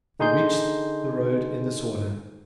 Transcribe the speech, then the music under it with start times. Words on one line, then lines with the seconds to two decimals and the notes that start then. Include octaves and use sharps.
They reached the road in this order.
0.20 D3 D#4 G#4 C6 G6